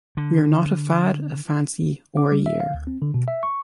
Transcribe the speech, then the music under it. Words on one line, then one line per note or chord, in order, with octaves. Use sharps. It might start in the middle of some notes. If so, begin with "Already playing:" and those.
We're not a fad, a fancy, or a year.
D3
D6
G3
E5
F5
D2
C4
D3
B2
E5
C#6